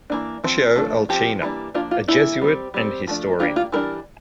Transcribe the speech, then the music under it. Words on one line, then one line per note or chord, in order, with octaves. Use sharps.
Ignacio Alcina, a Jesuit and historian.
E3 A#3 D4
F3 C4
F3 A3 D4
F3 C4 G4
E3 G3 A#3 D4
F3 A#3 D4 F4
F4
E3 A#3 D4 E4
G3 C4
G3 C4
F3 A3 D4
G3 A#3 D4 F4
F4
E3 G3 D4 A#4